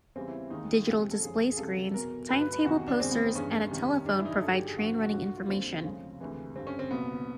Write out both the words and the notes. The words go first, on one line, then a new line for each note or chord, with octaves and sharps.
Digital display screens, timetable posters and a telephone provide train running information.
E2 C#3 E3 G3 C4
E4
D#2 D#3 G#3 D#4
C2 A#2 F3 G#3 G4
A4
F#2 C#3 F3 G#4
G#4
C#2 C3 E3 G3 A4
E2 B2 F#3 A#4
G2 D3 F#3 B4
B4
B4
E2 C3 D#3 F#3 F#4
D4
E2 C3 D#3 G#3 C4
B3
C4
G2 E3 G#3 C#4
F2 C3 D#3 G3
G2 E3 G3 D4
E4
D#4
E4
G2 D3 F#3 A4
G4
G#4
G2 D3 F3 F#4
F#4
D2 D3 F#3 F#4
F#4
F4
D#2 D3 G3 C4
D2 C#3 F3 G#3
D2 C3 E3 G#3
G2 D3 G3 C4
C#4
C4
C2 A#2 F#3 B3